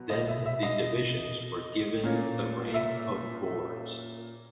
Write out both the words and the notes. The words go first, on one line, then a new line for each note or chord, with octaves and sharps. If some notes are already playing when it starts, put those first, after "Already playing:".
Then the divisions were given the rank of boards.
Already playing: B2 F#3 B3
D#5
E5
E5
D#5
A#2 A#3 C#4
E5